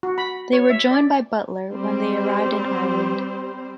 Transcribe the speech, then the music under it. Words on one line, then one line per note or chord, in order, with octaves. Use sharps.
They were joined by Butler when they arrived in Ireland.
F#4
B5
C#5
E5
D5
G3 C4 C5